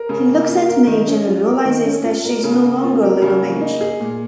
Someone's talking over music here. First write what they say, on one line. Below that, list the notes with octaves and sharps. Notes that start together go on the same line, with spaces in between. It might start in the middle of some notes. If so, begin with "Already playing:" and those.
He looks at Midge and realises that she is no longer "little Midge".
Already playing: A#4
C#3
A#3
F4
A#4
D#3
C#4
F4
A#4
D#3
C#4
F4
A#4
C#3
A#3
F4
A#4
C#3
A#3
D#4
G#4
A#2